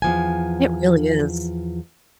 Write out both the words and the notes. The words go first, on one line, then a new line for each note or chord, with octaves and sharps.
It really is.
E2 F3 G#5